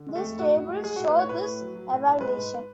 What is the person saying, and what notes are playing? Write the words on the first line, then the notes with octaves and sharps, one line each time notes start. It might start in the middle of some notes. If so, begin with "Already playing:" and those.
These tables show this evolution.
Already playing: D3
G#3
A3
F2
A2 F#4
A2
G#3
G#3 G#4
A2 F#4
B4
A2 C#5
A2 B4
A2
F#3
F#3
A2
A2
G#3 B4
G#2